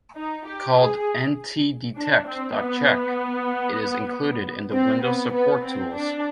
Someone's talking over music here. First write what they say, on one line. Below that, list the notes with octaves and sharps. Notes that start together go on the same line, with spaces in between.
Called ntdetect.chk, it is included in the Windows Support Tools.
D#4
G4
G#4
D4
C4
B3
C4
B3
B3
C4
D4